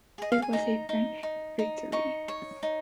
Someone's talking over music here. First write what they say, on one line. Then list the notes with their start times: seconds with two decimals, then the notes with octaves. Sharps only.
It was a French victory.
0.18 G#4 D#5
0.32 F5
0.42 G#5
0.53 D#4 A#5
0.89 D#4
1.23 D#4
1.59 D#4
1.92 D#4 C#6
2.28 C#5
2.63 D#4